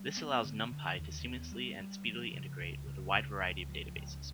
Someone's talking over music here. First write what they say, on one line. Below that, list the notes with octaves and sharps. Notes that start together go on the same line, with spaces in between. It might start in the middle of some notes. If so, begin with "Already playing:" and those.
This allows NumPy to seamlessly and speedily integrate with a wide variety of databases.
Already playing: G3
B3
D3
D3
D#2
B3
G3
G3
F3
C#3
C#2
C#3
C#2
C#2
F3
C#2